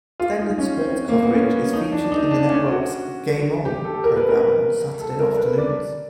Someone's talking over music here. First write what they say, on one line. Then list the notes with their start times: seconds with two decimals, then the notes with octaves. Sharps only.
Extended sports coverage is featured in the network's "Game On" programme on Saturday afternoons.
0.20 F4
0.39 D#4
0.58 C#4
0.77 C4
1.09 A#3
1.22 B3
1.34 C#4
1.73 D#4
1.92 D4
2.12 D#4
2.31 D4
2.50 C#4
2.70 F#4
3.65 G4
3.85 A4
4.04 A#4
4.16 B4
4.29 A#4
5.00 A4
5.19 A#4
5.39 B4
5.58 D5